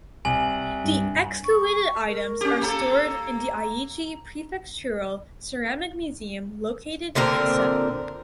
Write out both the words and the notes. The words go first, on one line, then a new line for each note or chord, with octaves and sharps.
The excavated items are stored in the Aichi Prefectural Ceramic Museum located in Seto.
C2 G#5 F#7
G2
C#6
A#4
C#4 G4
A#3 A4 A#5
A#2 D3 C4 A#4